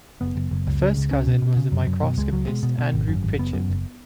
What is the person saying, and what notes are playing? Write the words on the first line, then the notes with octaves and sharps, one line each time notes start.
A first cousin was the microscopist Andrew Pritchard.
F#1 B3
F#1
F#1
C#2
C#3
C#2
C#2 C#4
B2
B2
C#3
F#2
F#2
B2
C#2 G#3
C#2 F#3
B2 G#3
B2
B2
G#1
F#2
G#1
F#1 B3
F#2
F#1